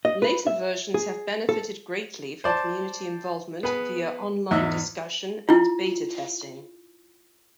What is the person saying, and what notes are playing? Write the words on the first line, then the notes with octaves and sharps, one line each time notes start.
Later versions have benefited greatly from community involvement via online discussion and beta testing.
D#5
B4
E5
G#4
A4
C5 D5 A5
B3 G#4 B4
E2 G#2 D#5 E5 E6
E4 F4